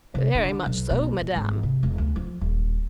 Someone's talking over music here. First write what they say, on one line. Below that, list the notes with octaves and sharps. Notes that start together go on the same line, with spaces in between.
"Very much so, madame."
C3
D3
B1
B2
A#2
G#1
C3
E1
D2
F3
D#1